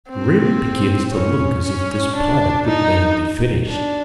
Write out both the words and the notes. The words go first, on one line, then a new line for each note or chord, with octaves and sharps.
It really begins to look as if this Planet would never be finished.
C4
C#4
C#4
D4
D#4
D4